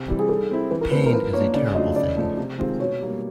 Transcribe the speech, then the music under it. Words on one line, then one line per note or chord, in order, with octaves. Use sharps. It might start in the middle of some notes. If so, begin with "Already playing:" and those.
Pain is a terrible thing.
Already playing: C3
E3 G3 C4
G#4
G3 A4
C4 E4
E3 B4
A#4
A3 C4 B4
A#4
F3 B4
A#3 D4 C#5
C#3 D5
F#3 A3 D4 F4 D#5
C#3 D5
F3 A3
C3
D#3 G#3 C4 F4
B2 C#5
G3 A#3